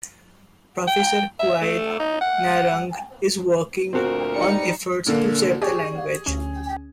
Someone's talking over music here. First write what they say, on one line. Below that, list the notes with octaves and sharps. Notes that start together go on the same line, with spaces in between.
Professor Qian Nairong is working on efforts to save the language.
G5
E5
A3
D#4
F#5
D2 A#2 C4 F#4 A#4
G3 D#4 A#5 C#7
A#2 D3 A#3
G4 G#4 D5 C#6
D2 C#4